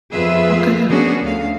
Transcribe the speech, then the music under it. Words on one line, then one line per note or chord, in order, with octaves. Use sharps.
Okay, yeah.
F2 B3 F4 G#4 B4 E5
A#3 B3 C#4 D4 F#4 G#4
D2 F5